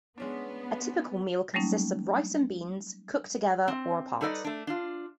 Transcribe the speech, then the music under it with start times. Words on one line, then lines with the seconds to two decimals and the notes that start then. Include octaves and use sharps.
A typical meal consists of rice and beans, cooked together or apart.
0.18 G#3 B3 C#4 D4
1.54 F#3 G3 A3 A#3 C#4 D#4
3.68 C4
4.21 G3 D#4 A4 B4 D5 D#5
4.45 A3 D4
4.67 D4 F4